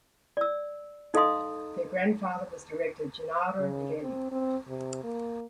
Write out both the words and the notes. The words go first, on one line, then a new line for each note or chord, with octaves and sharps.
Their grandfather was director Gennaro Righelli.
D5 E6
D#4 A4 D#5 F5 C6 D#6
C#3
C4
C4
C3
A#3